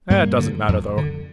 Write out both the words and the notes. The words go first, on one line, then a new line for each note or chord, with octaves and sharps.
It doesn't matter, though.
G2 G3 A#3
D3
F2
D3